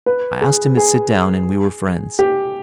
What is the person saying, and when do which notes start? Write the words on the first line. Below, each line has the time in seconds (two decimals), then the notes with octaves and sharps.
I asked him to sit down and we were friends.
0.06 B4
0.41 G#4
0.77 G#4
2.19 G4